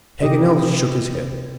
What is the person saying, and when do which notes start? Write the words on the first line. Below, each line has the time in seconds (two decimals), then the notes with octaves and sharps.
Paganel shook his head.
0.22 C3 G4 D#5